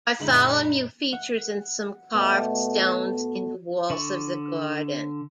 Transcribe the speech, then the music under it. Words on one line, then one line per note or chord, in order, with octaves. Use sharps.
Bartholomew features in some carved stones in the walls of the garden.
F#2 A#2 D3 G#3 D#4 E4 F#7
F#5
B2 A3 B3
D3 D5 C#6